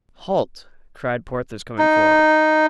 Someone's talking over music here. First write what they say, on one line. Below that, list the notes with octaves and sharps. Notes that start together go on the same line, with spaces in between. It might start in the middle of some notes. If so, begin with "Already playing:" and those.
"Halt!" cried Porthos coming forward.
D#4